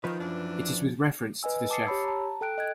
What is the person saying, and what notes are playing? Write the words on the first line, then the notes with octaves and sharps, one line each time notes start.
It is with reference to the chef.
D#3 F3 B4
F#2 E3 D4
B4 D#5 G#5 E6
A5 D6 D#6 A6 C7 C#7
G4 C#5 B5 E6
A5 A#5
A4 G5 F#6 D7
D#5 F#6 G#6